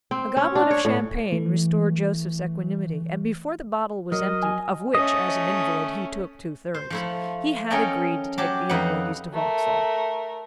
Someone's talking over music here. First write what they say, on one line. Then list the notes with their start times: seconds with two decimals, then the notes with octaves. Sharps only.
A goblet of Champagne restored Joseph's equanimity, and before the bottle was emptied, of which as an invalid he took two-thirds, he had agreed to take the young ladies to Vauxhall.
0.11 C4
0.37 C#4
0.55 D4
0.71 C#5
0.85 A2
1.32 E3 A3
4.12 F#3 A#4 D#5
4.43 G#5
4.95 A3 C#4 D#5
6.74 C5
6.90 F3 A3 E4
7.70 C#4 A4 A#4 D#5 G5 G#5
8.38 F#3 G4 A5
8.69 F2 D#4 B4 F#5
9.33 A3 A#4